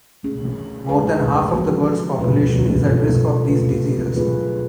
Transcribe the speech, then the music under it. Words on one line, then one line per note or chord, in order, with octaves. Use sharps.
More than half of the world's population is at risk of these diseases.
A3 C#4 G#4
G#3 C#4 G#4 B4
F3 B3 F#4
B2 G#3 C#4 F4 B4
B2 F#3 C#4 F4 A4
A3 D4 F4 B4
F#3 B3 F4 G#4 B4